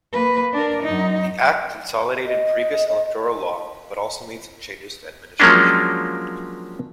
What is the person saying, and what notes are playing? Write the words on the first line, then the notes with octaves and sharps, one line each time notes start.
The Act consolidated previous electoral law, but also made some changes to administration.
A#3 B4
D4 A#4
F#2 D#4
D#5
F3 F#3 G#3 A#3 C#4 D4